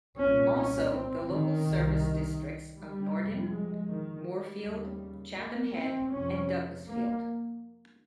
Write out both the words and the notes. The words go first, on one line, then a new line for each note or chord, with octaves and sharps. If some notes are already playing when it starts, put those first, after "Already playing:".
Also the local service districts of Nordin, Moorefield, Chatham Head, and Douglasfield.
C2 A#2 C#4
C#4
C4
D#3
C2 C3
G3
F2 C3
G#3
D#3
G3
D#2 C#3
A#3
C4
F2 C3 C#4
A#3